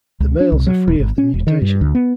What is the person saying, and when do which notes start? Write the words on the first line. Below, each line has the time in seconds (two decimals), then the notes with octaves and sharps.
The males are free of the mutation.
0.20 C#2
0.40 D4
0.52 C2
0.67 F#3
0.88 D#1
1.00 G#1
1.18 C#4
1.34 E1
1.47 D#3
1.62 G2
1.81 D2
1.95 B3